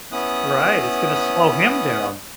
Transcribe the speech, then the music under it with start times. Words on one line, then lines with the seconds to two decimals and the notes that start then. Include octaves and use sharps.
right, it's gonna slow him down.
0.12 B3 C#4 E4 D#6 F#6